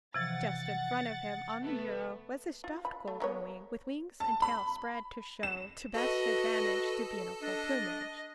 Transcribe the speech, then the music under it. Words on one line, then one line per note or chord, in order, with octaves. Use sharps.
Just in front of him, on the bureau, was a stuffed golden-wing, with wings and tail spread to show to best advantage the beautiful plumage.
C3 E3 F3 F#5 A6
A3 B3
F4
B5
A3
A#3 B3 C#5
A5
B5
E7
F#4 A4 B4 D#5
D4 D#5